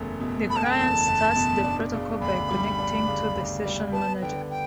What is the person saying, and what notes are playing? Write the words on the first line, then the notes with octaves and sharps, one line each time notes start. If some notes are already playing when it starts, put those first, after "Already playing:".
The client starts the protocol by connecting to the session manager.
Already playing: F#1 E2 A3
B2
A3 B5
A5
G5
A5
E2
F#1
B2
D4
C#3
D2 B5
G3
D4
C#3
D2
G3
B3 A5
D3 G5
G5